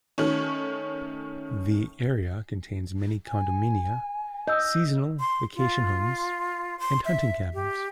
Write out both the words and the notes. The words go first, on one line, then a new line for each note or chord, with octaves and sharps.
The area contains many condominia, seasonal vacation homes, and hunting cabins.
D#3 A3 C#4
G#5
D#5 E6 G6
C6
F4
C6
E5
G4